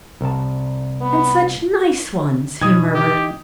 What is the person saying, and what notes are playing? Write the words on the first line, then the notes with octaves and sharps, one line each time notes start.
"And such nice ones," he murmured.
C2 A5
B3
B2 E3 D#4 D#6 G#6
G4